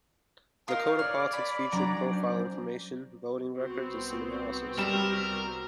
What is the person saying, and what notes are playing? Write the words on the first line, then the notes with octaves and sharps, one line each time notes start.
DakotaPolitics featured profile information, voting records and some analysis.
D#4 F4 A#4 D#6 C7
G#4 C#5 D5 F6
B5
F#3 C#4 D4 A#5
C5
C2 B3 C4 F#4
G3 A#4 E7